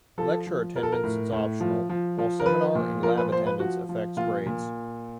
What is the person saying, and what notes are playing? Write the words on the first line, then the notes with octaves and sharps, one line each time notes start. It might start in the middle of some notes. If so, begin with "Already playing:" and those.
Lecture attendance is optional, while seminar and lab attendance affects grades.
F3 A4
F3
F3 A#4
A4
A#4
A2
A2
F3
F3
F3
A#4
F3 B4
A#2
F3 A#4
B4
F3 C5
B4
F3 F#4
F3
A#2 F4
A#2